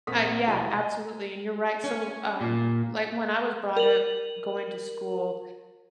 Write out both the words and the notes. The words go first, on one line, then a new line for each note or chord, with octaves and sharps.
Ah, yeah, absolutely, and you're right, so, l um, like, when I was brought up going to school,
A#1 C4 A#4 F#5 D#6 B6
E1 C2 A3 F#4 G5 D#7
D#5 G#5 A#5
C#4
A#2
A#4 F#7